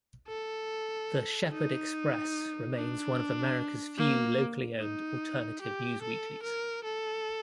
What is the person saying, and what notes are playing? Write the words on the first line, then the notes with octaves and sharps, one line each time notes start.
The "Shepherd Express" remains one of America's few locally owned alternative newsweeklies.
A4
D#4
D4
A#3
D#4
G4
A4
A#4
A4